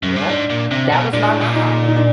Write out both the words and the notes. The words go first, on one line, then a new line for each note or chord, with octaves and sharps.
Yep, that was my mom.
F#2
G2
G#2 D4
A#2
C3
B2
A#2 D4
A2
A#2
D#4
D#4
D4